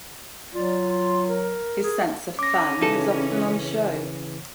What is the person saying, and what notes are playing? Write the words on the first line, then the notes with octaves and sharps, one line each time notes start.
His sense of fun was often on show.
F#3 F4 D5
C6
A#4
G#4
C#4 D6 A#6
C#3 E3 D#4 A4